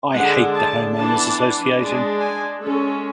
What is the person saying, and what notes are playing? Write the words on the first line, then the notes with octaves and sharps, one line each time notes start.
I hate the Homeowners' Association.
D3 G#3 D4 F#5
A5
E3 B3 D4 A5
G#3 D4
G#5
G#3 C#4 A4